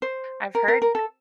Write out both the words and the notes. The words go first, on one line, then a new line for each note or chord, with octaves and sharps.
I've heard
C5
A#4
A#4
A#4
A4